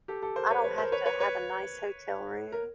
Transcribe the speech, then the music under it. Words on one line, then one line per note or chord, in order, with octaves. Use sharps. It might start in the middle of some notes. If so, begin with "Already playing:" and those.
I don't have to have a nice hotel room,
G4 A4
G4 A4
A#4 C5
B4 C#5
B4 C#5
A#4 C5
B4 C#5
B4 C#5
B4 C#5
A#4